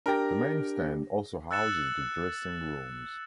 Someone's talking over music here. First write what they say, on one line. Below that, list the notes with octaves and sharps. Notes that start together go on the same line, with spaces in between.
The main stand also houses the dressing rooms.
D4 G4 A#4 G5 A#6
E6 F#6 A6 C#7 E7